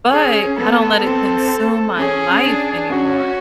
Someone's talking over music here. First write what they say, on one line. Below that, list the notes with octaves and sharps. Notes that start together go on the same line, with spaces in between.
but, I don't let it consume my life anymore
C#4 G#4
B3 A4
C4
C#4 G#4
D4
C#4 F#4